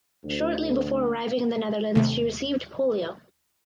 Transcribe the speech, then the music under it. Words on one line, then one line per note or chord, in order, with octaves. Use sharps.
Shortly before arriving in the Netherlands she received polio.
D2
D#2 C3 A3